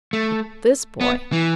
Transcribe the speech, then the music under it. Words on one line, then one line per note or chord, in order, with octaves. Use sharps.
But this boy....
A3
B3
E3